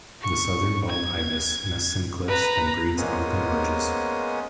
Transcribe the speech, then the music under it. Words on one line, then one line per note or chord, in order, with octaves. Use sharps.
The southern bald ibis nests in cliffs and breeds on open ledges.
C#6
G#6
B4 A#5
G#3 A#3 B3 C#4 C5 D#6